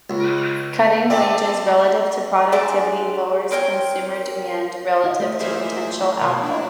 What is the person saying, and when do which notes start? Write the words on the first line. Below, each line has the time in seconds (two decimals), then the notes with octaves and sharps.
Cutting wages relative to productivity lowers consumer demand relative to potential output.
0.10 C#2
1.10 C4 D5 E5 A5
2.52 G#3 D4 G4 E5
3.51 C4 A#4 C#5 G5
5.04 E4 D#5 E5
5.20 A3 C4 A#4 D#5
5.40 A#2 E3 A#3 G#4 C5 E5
6.01 F2 A5
6.21 B2 F3 F#3 A#3
6.43 D4 E4